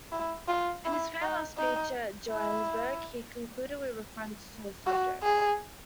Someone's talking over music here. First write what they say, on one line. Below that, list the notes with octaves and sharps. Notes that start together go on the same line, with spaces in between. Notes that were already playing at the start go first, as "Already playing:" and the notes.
In his farewell speech at Johannesburg he concluded with a reference to the subject.
E4
F4
E4
D#4
D#4
E4
F#4
G#4